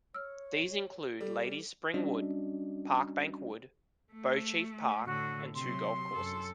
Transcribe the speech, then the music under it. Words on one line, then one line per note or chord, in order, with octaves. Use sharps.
These include Ladies' Spring Wood, Parkbank Wood, Beauchief Park, and two golf courses.
C#5 E6 F6
G3 G4 A4
G3 C#4 D4 F#4 D5 D#5
A3
A2 D3 F#4
C3 F#3 C6
F#2 A4